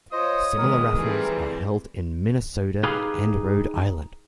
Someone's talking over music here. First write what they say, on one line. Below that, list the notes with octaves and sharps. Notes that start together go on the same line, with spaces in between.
Similar raffles are held in Minnesota and Rhode Island.
F4 C5 C#5 D#5 D#6
D#3 G#3 B3 A#4
E3 G3 A3 C4 G#4
D#4 G4 G#4 B4 F5